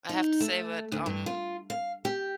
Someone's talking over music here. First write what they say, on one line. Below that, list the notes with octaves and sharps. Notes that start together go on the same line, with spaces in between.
I have to say that, um,
D#4
A3
D2
G2
F4
F5
G4